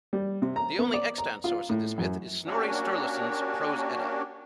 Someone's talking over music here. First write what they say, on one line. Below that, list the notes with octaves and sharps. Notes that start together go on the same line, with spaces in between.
The only extant source of this myth is Snorri Sturluson's "Prose Edda".
G3
C3
A#5
B3
D5
A#5
F4
A2
F#2
A#3 C#4 D4 F#4 G4